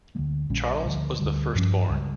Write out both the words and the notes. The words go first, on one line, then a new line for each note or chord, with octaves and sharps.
Charles was the firstborn.
D2 D3 G3 A#3
A#1 A#2 G3 C#4
D2 D3 F3
D2 D3 G3
G2 F3 C#4
C#2 C#3 G3